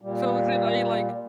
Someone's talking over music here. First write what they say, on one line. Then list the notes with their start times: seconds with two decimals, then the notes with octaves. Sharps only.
So is it, like like,
0.01 A#2 G3